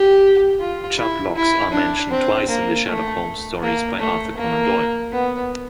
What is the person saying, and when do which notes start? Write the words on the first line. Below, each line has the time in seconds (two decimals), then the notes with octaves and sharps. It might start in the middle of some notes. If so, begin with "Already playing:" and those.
Chubb locks are mentioned twice in the Sherlock Holmes stories by Arthur Conan Doyle.
Already playing: G4
0.60 F4
0.99 E4
1.36 E4
1.73 D4
2.11 C4
2.49 A#3
2.87 A3
3.62 A#3
3.99 A3
4.37 A#3
5.13 B3